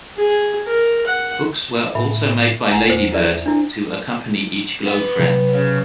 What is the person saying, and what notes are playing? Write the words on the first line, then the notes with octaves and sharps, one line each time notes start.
Books were also made by Ladybird to accompany each Glo Friend.
G#4
A#4
F#5
A2 E5 B5
F1 F#5 G#5 A#5
E2 C5
E4 D5 E5
D4 E4
B3
C3 F#3
C#3